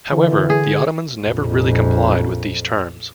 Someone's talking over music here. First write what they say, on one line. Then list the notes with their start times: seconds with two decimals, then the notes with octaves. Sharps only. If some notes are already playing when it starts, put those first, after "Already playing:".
However, the Ottomans never really complied with these terms.
0.12 D3 E3
0.50 G#4
1.25 A#1 F2